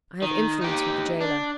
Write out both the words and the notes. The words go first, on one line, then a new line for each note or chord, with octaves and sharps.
I have influence with the gaoler.
D#3
D#4 G4
D4